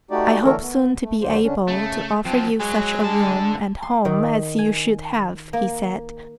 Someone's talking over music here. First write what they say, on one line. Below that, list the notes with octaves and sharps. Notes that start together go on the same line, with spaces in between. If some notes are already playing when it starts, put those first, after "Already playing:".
"I hope soon to be able to offer you such a room and home as you should have," he said.
A3 D#4 F#4 G4 D5
D3 E3 A3 A4 A#4 C#5
B3
A3
D#2 D3 F#3 A#3 C5
D3 C#4 D4
C#3 A3
F3 F#3 C4
F#3 G#3
D3 A5
C6
D#3
G#5
A#3